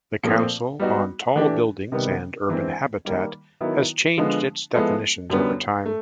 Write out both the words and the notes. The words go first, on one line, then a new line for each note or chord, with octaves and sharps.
The Council on Tall Buildings and Urban Habitat has changed its definitions over time.
A#2 F3 A3 C4
G3 B3 D#4 F#4
E3 A3 D4 G4
C3 D#3 G3 B3
G2 E3 G#3 C4
D#3 G3 A#3
D#3 F#3 B3 E4
D3 F3 G#3 B3
F3 G#3 B3 E4 A4
F#2 D3 G3 B3
A3